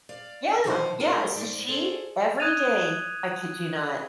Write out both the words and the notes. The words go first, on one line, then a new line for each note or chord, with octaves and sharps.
Yeah, yeah. So she- every day, I kid you not,
D5 F5
B2 D#3 F3 B3 D#4 C5
G#3 D#4 F4 A#4
G#2 D5
G#4 A4 C5 D5
D#6 F#6 G#6 D#7 F7